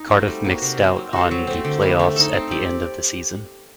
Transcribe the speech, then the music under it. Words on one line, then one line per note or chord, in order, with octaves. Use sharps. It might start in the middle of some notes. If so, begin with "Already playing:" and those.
Cardiff missed out on the play-offs at the end of the season.
Already playing: D#4
A3 C4 F#4
G3
A#3 F#4
C3
F#3 C4
C4
F#4 A4 C5
F#3
A3 C4
D3
G3 A#3
A3
D#4 A4
C4
G4 D5